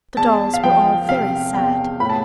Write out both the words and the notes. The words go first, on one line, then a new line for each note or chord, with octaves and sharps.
The dolls were all very sad.
E2 A5
F5
F3 G5
C3 F5
E2 G5
A2 B5
A5